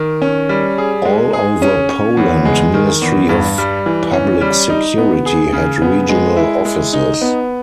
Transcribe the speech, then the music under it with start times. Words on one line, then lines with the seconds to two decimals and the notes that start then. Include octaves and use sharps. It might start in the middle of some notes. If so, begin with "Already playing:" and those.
All over Poland Ministry of Public Security had regional offices.
Already playing: D#3
0.22 C#4
0.49 G3
0.78 G#4
1.05 G#3
1.33 G#4
1.62 C#4
1.89 C#5
2.17 E2
2.45 G#3
2.74 D#3
3.02 E2
3.29 G2
3.58 G3
3.86 E3
4.13 C#4
4.41 G3
4.70 D#4
4.98 B3
5.26 G#4
5.53 C#3
5.82 B3
6.09 G#3
6.37 E4
6.65 G#3
6.93 D#4
7.21 B3